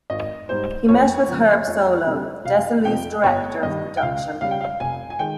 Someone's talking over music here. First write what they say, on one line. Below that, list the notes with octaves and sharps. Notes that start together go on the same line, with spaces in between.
He met with Herb Solow, Desilu's Director of Production.
G#1 D#5
G#2 G3 C5
F2 C#5
C#3 F3
F2
C3 G3
F1 F5
F2 C3 G5
G1 C#5
G2 D#3 G3 D#5
G5
C#2 F5
C#3 G3 F5
G5
F5
F1 G#5
G#5
D#3 G#3 G5